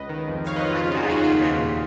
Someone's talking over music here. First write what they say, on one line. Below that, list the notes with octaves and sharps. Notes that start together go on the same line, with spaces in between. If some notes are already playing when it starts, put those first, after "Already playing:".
And I'm like, “Yeah, I can.
Already playing: C#2 B4 D#5
D#3
F2
D#3 C#5 F5
B4 D#5
F2 F4
C#3 F4
D#4 F#4
D#2 F4 G#4
D#4 F#4
C#3 F4
D#2
A#2